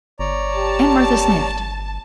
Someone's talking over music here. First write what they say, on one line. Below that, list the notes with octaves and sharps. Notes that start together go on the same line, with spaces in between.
Aunt Martha sniffed.
G1 C#5 D5 A#5
G4 A5